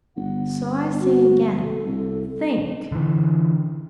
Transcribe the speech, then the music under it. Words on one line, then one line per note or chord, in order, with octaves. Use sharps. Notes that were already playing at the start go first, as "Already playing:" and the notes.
So I say again, think.
G1 F#5
F#4
A4
C2
D3 E3